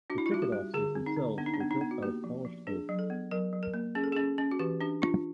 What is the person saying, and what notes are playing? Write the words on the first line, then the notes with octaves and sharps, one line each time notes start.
The ticket offices themselves were built out of polished oak.
D4 F#4
E4
F4
G3 F#4
G4
G3
D3 G#4
C4
D#4
D3
B3 D4
D#4
D4
B3
D#4
B3
F#4
A#3 G4
F3
F3
D4 G#4
F#3
A4
B3
F#3 A#4
F#3
A#4
A#3
C#4 G#4
A4
C#4 G#4
C#4
F#4
E3 G4
D4 G4
D4 F4